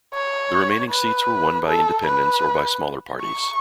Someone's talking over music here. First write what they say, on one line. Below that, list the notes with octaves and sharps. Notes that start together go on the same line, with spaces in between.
The remaining seats were won by independents or by smaller parties.
C#5
B4
A4
B4
C#6